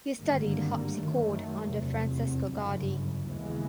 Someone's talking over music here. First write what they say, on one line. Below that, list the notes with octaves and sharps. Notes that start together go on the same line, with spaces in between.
He studied harpsichord under Francesco Gardi.
G#1 G2 D3 G3 A#3
F#2 D#3 F#3 A3
F1 E2 C3
G1 F#2 C#3
D#2 C#3 E3 G#3 B3